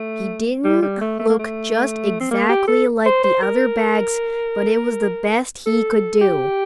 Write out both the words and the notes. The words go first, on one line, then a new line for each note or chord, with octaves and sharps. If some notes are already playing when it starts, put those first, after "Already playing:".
He didn't look just exactly like the other bags but it was the best he could do.
Already playing: A3
G3
G3
A3
A3
A#3
A3
C4
A#3
G4
A4
C5
C5
A#4
A4
G4